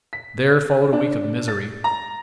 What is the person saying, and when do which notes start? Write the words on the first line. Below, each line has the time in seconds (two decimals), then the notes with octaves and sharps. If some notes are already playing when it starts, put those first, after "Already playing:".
There followed a week of misery.
0.13 B6
0.93 D4
1.48 A6
1.84 A#5